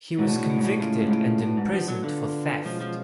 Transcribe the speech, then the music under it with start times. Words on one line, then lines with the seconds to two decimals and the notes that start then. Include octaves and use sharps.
He was convicted and imprisoned for theft.
0.19 G#2 B2 G#3 D4 F#4 C#5
0.29 A2
0.39 A2
0.50 A2
0.59 G#2
0.65 A2
0.80 A2 C#3 G#3 C#4 F4
1.06 G#2
1.11 A2
1.42 A2 B3 D4 F#4
1.57 G#2
1.73 F3
1.88 F#3
2.03 D3 B3 D4 F4
2.65 B2 F3 G#3 C#4 F4
2.81 F3